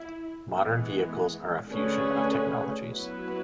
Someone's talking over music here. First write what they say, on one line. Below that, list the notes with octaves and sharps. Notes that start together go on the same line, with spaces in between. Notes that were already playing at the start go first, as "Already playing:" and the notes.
Modern vehicles are a fusion of technologies.
Already playing: E4
E3 G#3 B3
D3 A3 C#4 G#4 B4
F#3 B3 E4 B4